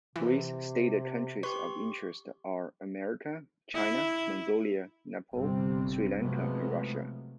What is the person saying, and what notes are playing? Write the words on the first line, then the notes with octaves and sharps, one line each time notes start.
Gray's stated countries of interest are America, China, Mongolia, Nepal, Sri Lanka and Russia.
C3 E3
G4 B4 C6 C#6
E4
G1 C3 G3 C4
C3 F3 F#3 G#3 A3 B3